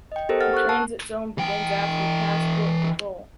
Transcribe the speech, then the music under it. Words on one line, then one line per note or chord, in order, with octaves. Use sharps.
The transit zone begins after passport control.
D#5 G5
B3 G4 A4 A#4 C5
F#5 F6 A6
C#6 F#6
A#4 A5
E3 G5